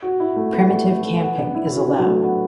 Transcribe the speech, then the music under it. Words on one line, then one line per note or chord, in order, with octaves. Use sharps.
Primitive camping is allowed.
F#4
E4
A3
B3
A3
A3
A3
B3
D4
E4
E4
F#4
D4
F#3
A3
B3